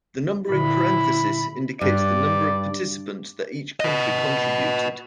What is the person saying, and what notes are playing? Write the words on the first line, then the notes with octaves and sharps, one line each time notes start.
The number in parentheses indicates the number of participants that each country contributed.
A#2 D3 E4 B5
G2 D5
B4 D#5